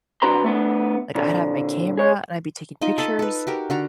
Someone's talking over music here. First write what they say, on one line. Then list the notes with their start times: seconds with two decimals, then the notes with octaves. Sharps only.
Like, I'd have my camera, and I'd be taking pictures,
0.22 C2 D4 F#4 B4 A#5 C6
0.44 A3 B3 D4
1.15 A#2 D3
1.97 G#4 C#5
2.81 D#4 F4 D#5
2.98 A4 D#5 A5 B5
3.19 A4 B4
3.47 F#4 G4 A#4
3.70 D3 F#4 A#5